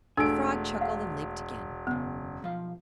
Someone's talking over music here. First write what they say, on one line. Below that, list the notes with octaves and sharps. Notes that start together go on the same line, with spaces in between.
The frog chuckled and leaped again.
E1 A3 D4 A4 G#5 E6 D7
F5 F#5
F#2 C#3 B3
B1 F3 F5